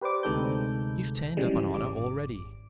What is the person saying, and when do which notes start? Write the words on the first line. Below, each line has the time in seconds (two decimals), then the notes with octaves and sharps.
You've turned up an honor already.
0.01 G4 B4 C5 D5 D6
0.23 D2 C3 G#3 D#4 A4 G6
1.37 C#3 E3 F3 G3 G#3
1.70 G#1 D6